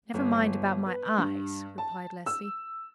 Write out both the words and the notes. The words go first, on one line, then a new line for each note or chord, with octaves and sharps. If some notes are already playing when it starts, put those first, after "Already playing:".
"Never mind about my eyes," replied Leslie.
G1
B4
G2
A5
E6